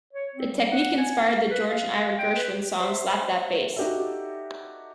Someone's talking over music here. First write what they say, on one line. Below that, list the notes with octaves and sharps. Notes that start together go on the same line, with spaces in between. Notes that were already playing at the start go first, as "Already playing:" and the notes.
The technique inspired the George and Ira Gershwin song "Slap That Bass".
C#5
C4
G3
F#5
G#5
F5
B4
F5
F5
G5
B4
G4
C5 E5
D#4 F#4 G4 A4 D5 E5